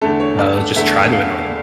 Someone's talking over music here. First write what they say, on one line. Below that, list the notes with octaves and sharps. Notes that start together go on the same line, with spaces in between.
Oh, just try to annoy them.
E2 D3 A3 A4
C#5
D5
A4
E2 D3 A3 E5
F5